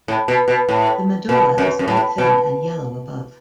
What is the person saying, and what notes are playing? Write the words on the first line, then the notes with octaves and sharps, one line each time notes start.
The medulla is quite thin and yellow above.
A2
B2
B2
A2
B2
F#2
F#2
A2
B2